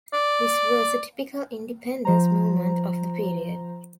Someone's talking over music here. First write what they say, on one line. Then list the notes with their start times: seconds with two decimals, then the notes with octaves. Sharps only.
This was a typical independence movement of the period.
0.13 D5
2.05 F3 C5 A#5